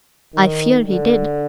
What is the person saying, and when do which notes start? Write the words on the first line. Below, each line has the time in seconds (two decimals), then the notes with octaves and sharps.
I fear he did.
0.34 D#3
0.88 D3